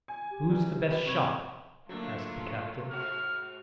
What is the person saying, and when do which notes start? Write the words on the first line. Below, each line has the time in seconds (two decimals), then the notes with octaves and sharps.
"Who's the best shot?" asked the captain.
0.08 G#5
0.31 G4
0.50 E3 F#3 G3
0.90 B4
1.06 C3 C#6 G#6
1.89 D3 F#3 A3 A#3 D4 F4
2.91 G#2 F#4 F6